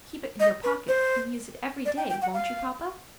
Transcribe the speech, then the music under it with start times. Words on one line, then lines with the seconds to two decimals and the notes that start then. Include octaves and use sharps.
"Keep it in your pocket, and use it every day, won't you, papa?"
0.40 D#5
0.64 B4
0.88 C5
1.86 D5
1.97 G5
2.10 G5
2.22 F#5
2.34 F5